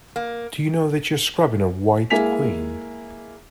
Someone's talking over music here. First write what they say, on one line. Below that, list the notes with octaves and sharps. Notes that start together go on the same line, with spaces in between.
Do you know that you’re scrubbing a White Queen?
A#3
G#3 A#3 E4 G#5 B6 F7